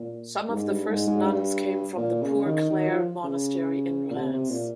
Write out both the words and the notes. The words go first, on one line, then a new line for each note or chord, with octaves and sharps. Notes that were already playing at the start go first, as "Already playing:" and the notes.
Some of the first nuns came from the Poor Clare monastery in Reims.
Already playing: A#2
G2
G#2
G2
G#2
G#2
G2
A#2
C#3
D#3
D#3
F3
C#3
A#2
C3
C3
A#2